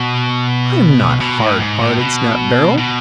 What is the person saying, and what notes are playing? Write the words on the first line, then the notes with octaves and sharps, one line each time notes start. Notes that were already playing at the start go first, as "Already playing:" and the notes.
"I am not hard-hearted," snapped Beryl.
Already playing: B2
B2
A2
G#2
A2
B2
B2